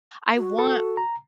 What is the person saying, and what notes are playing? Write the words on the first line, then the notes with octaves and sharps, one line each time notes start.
I want
F#4
A4
A#5